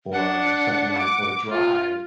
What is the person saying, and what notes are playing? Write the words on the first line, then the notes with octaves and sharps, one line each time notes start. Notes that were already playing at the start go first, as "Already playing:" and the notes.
or something like or drive
D4 F#5
D6
F4